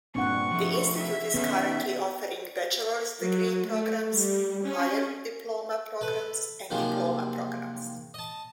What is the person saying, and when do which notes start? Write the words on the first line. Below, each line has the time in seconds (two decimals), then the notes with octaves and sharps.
The institute is currently offering bachelor's degree programmes, higher diploma programmes and diploma programmes.
0.15 G2 A#2 C4 D4 F#5 C#6
0.51 F3 A3
0.97 E5
1.34 D#3 B3 C#4 D#4
3.22 F#3
3.66 A3
4.13 G3
4.64 C#4
6.01 A4 B4
6.70 D#2 C3 D#3 F3 F#3 G#3
8.14 D#5 A5